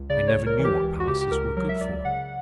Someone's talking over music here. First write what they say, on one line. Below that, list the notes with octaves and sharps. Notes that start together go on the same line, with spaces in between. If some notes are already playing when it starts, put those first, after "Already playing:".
I never knew what palaces were good for.
Already playing: C#2
C#3 D5
C#5
C#2
A#4
E3
G4
C#2
F#4
C#3 G4
G4
C#2 A#4
F#3 A#4
E5
C#2 D5
C#3 F#5